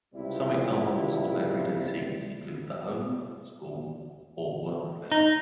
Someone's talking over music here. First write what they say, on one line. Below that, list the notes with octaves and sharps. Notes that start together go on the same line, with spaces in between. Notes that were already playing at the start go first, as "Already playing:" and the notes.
Some examples of everyday scenes include the home, school, or workplace.
C#2 C3 G3 E4
D#4